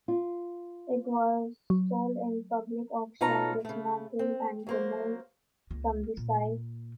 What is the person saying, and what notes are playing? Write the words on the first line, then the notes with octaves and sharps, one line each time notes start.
It was sold in a public auction, dismantled and removed from the site.
F4
F#3
B2 D#4 F4 C#5 A5 A#5
C#3 A3
C4
F#3 A#3 C5
C#2 A#3
A#2